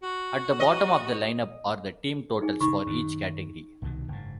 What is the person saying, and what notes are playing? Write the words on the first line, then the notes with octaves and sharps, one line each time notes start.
At the bottom of the lineup are the team totals for each category.
F#4
D#5
D#4 G#4 G#5
C#3 D#4 B5 C#6
F#2 D#3
C2 B2 D#3
F#1 G#2